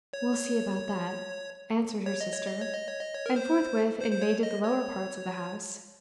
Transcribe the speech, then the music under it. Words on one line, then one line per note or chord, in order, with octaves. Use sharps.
'We'll see about that,' answered her sister, and forthwith invaded the lower parts of the house.
C#5
C#5
D#5
C#5
D#5
C#5
D#5
C#5
D#5
C#5
A#4
C5
C5
C5
C#5
D#5
C#5